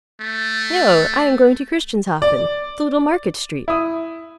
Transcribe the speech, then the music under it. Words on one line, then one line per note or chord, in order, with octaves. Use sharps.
"No, I am going to Christianshafen, to Little Market Street."
A3
D5
E4 D#6